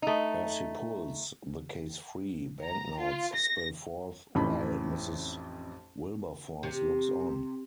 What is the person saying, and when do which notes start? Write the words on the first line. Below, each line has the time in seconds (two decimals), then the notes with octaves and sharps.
As he pulls the case free, banknotes spill forth while Mrs. Wilberforce looks on.
0.02 A3 D#4
2.62 A#5
2.99 F4
3.34 A#6
4.35 A1 F2 E3 C#4 D#4 B5
6.63 C3